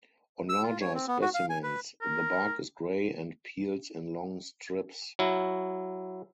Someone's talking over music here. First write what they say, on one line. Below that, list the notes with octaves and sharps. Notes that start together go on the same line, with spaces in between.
On larger specimens the bark is grey and peels in long strips.
E6
F4
C#5
C4
B3
F#4
F5
G#5
B4
A#4
F#3 E4